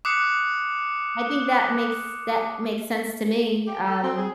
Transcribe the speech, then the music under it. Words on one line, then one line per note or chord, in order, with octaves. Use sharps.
I think that makes that makes sense to me, um,
D6 D#6 F#6 C7 C#7
G4
A4
C4
G#4